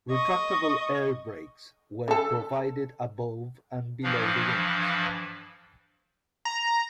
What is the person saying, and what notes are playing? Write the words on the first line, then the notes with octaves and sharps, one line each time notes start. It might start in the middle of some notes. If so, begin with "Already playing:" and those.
Retractable airbrakes were provided above and below the wings.
D#5 C#6
D3 A4
G2 E3 F3 D4 F5
A#5